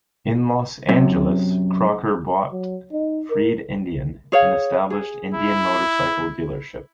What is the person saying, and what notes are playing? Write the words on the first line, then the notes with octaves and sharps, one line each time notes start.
In Los Angeles, Crocker bought Freed Indian, an established Indian Motorcycle dealership.
F#2 C3
F#3
D#4
A#4
G#4 C#5 F5
G#4
E4